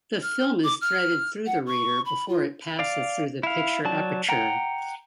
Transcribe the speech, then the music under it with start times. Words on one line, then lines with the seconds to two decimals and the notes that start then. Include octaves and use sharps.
The film is threaded through the reader before it passes through the picture aperture.
0.22 F6
0.64 D6
0.81 F6
1.46 F#5
1.66 C#6
2.06 B5
2.29 F4
2.79 D5 F5
3.43 E4 F5
3.85 F#3 D5 A5
4.29 F#5 G5 A#5